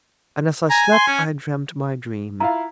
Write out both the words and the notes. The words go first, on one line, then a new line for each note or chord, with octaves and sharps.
And as I slept I dreamed my dream.
G#5 A#5
C6
C#4
E4 F4 F5 A#5